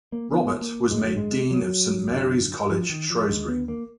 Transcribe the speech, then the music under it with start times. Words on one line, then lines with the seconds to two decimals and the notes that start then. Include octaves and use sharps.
Robert was made Dean of Saint Mary's College, Shrewsbury.
0.12 A#3
0.32 B3
0.61 A#3
0.91 F#2 D3 G#3
1.04 F#3
1.17 G#3
1.51 F#3
2.11 F#2 D3
2.70 F3
2.90 D#3
3.10 F3
3.29 D#2 D3 G#3
3.48 B3
3.68 A#3